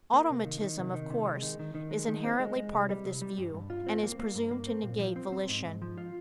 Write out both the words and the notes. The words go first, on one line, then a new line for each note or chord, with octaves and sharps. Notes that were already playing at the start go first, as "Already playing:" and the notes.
Automaticism, of course, is inherently part of this view, and is presumed to negate volition.
A#3
C3
D#3
D#3
C3
D#3
C3
G#3
D#3
D#3
D#3
G#3
D#3
C4
G#3
G#3
C2
G3
C2
G3
G2
G2
F4
C4
A#3
A#3
G2
A#3
C4
A#2
F3
C4
C4
G#2
G#2
F3
F4